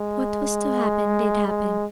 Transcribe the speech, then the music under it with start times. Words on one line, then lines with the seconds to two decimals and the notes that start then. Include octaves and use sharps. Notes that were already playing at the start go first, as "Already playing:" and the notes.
What was to happen did happen.
Already playing: G#3
1.48 G#3